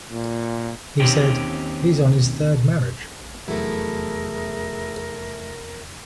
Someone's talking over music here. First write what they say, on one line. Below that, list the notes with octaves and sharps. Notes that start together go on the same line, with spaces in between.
He said, He's on his third marriage.
A#2
D#2 C4 C#4 D#4 G4
F1 E2 F#3 A3 E4 G#4 A#4